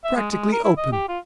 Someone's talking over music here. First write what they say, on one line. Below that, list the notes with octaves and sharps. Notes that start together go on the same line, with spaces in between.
Practically open.
E5
G#3
G#3
A#4
E4
D#5
G4
F4